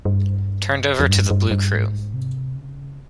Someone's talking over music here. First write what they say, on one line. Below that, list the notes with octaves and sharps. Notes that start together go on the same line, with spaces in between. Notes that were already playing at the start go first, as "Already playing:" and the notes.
Turned over to the Blue Crew.
G2
F2
G2
G2
G2
G#2
C3
C#3